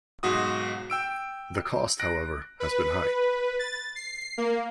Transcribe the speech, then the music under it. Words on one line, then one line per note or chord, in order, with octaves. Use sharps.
The cost, however, has been high.
B1 G#2 F#4 D#6
G5 E6 D7
F#6 A#6 D7
B4
A6
C7
A#3